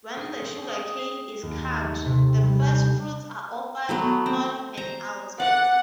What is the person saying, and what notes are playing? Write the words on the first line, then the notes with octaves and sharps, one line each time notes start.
When the sugarcane is cut, the first-fruits are offered on an altar.
G#4
C4
D#6
C7
D#2
G4
A3
C3
G3
G6
F#3 A3 B3
C4
C5 A#5
D5 F#5